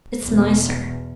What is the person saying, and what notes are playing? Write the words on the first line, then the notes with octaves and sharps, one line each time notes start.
"It's nicer."
E2 B2